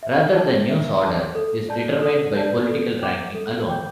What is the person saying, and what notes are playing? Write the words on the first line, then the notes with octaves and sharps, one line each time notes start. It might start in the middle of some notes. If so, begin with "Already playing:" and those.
Rather the news order is determined by political ranking alone.
E5
A5 D6 G6
E5
A5 D6 G6
A4
D5 A5 G6
A4
D5 A5 G6
A4
G5 D6 G6
A4
G5 D6 G6